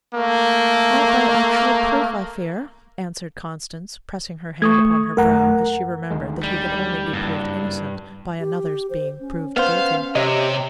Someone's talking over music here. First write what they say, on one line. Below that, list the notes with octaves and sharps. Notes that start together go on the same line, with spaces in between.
"Not by actual proof, I fear," answered Constance, pressing her hand upon her brow as she remembered that he could only be proved innocent by another's being proved guilty.
A3 A#3
A3 C#6 D#6 G#6
F#2 A3 A#4 F#5 A#5
D2 D#3 G#3
G3
F#1 G2
G4
C5
C#4
B3 C#4 C5 F5
C3 G4 C#5 D#5